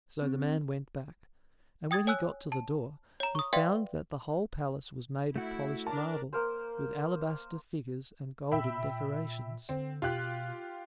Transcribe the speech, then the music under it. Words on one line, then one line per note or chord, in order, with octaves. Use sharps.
So the man went back, and when he got to the door, he found that the whole palace was made of polished marble, with alabaster figures and golden decorations.
C4
G5 D#6 G#6 A6
C#5 G#5 E6 F#6
A5
C#5 A#5
C#6 D#6
B4 D5 E5 F5 G5 C6
A3 E4 F#4
D4 A#4 D5 A5
A#3 A#4 C5
A#2 E5 G5 B5
D3 C4
B2 F4 G4 F#6